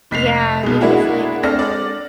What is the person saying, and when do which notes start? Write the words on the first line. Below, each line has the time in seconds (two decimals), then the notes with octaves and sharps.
Yeah, because, like, um,
0.11 F1 B6 C7 F7
0.63 B1 B2 G#3
0.80 G#3 A#3 D4 E4 F#4 F#5
1.43 C4 D4 A4 F6 A#6
1.59 D5